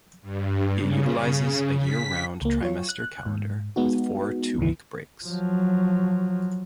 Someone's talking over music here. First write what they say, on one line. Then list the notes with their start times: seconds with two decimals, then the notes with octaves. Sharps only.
It utilizes a year-round trimester calendar, with four two-week breaks.
0.22 G2
0.77 C#3
1.79 B6
2.42 C#2 A#3
2.61 F#3 F4 C#5
2.89 F#6
3.26 G#2
3.76 G#3 B3 D#4 F#4
4.58 C#2 G2 D3 E3
5.25 F3 F#3